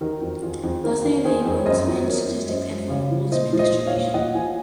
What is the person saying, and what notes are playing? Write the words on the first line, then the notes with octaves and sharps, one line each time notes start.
Thus they obey Boltzmann statistics and form a Boltzmann distribution.
D#3 F#4 A#4
F2
F2 F4 G#4
F2
D#3 F#4 A#4
D#3
D#3 G#4 C5
F2
C#5
F#2 C5 D#5
F3
F#2 A#4 C#5
F3
F#2 C5 D#5
F#2
C#3 C#5 F5
F3
A#2 C5 D#5
F3
C5 D#5
A#2
C#5 F5
A#2
F3 D#5 F#5
F3 F5 G#5